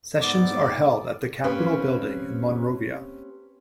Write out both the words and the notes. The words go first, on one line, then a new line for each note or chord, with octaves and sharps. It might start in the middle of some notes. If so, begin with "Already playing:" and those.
Sessions are held at the Capitol Building in Monrovia.
G#2 B3 D5 D6
A#3 C4 C#4 G4 B4